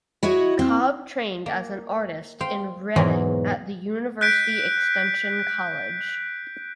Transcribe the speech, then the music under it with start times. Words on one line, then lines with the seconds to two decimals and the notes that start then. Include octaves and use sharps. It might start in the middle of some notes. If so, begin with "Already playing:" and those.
Cobb trained as an artist in Reading at the University Extension College.
0.23 E4 F#4 C#5 D#5
0.59 C4
1.46 A#3
2.41 C5 F5 G5
2.96 E2 G#2 B2 E3 F#3 A#4
4.21 F#6 G6 B6 D7